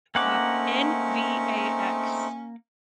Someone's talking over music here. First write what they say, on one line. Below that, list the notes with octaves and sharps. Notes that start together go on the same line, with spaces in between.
Uh, N-V-A-X.
A3 A#3 C4 C#4 D#4 F#5 D6